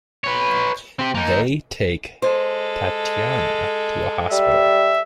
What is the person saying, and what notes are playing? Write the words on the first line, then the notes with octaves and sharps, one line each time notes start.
They take Tatiana to a hospital.
B4 C#5
C4 G4
A#3 D#4
G#3 A4 C5
G3 E5